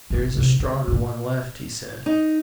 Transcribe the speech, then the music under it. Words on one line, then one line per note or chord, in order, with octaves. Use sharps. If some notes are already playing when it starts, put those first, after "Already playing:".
"There is a stronger one left!" he said.
A1 A2
A1 C3
G#3
G2 A#2
D#4